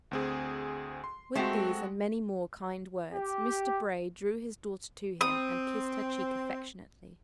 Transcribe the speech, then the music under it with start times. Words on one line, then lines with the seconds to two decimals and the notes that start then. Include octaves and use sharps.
With these and many more kind words, Mr Bray drew his daughter to him and kissed her cheek affectionately.
0.11 D2 C4 G#4
1.04 C6
1.35 G#3 A3 C4 F#4 G4
3.12 G4
5.21 C4 D#6